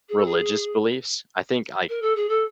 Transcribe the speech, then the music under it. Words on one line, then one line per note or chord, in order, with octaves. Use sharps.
religious beliefs, I think, l c
G#4
A4
G#4
A#4
A4
G#4
A4